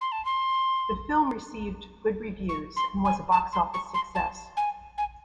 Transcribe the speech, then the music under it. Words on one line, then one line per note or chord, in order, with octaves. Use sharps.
The film received good reviews and was a box office success.
C6
A5
C6
C#6
C6
G#5
A5
C6
C#6
C6
A5
G#5
G#5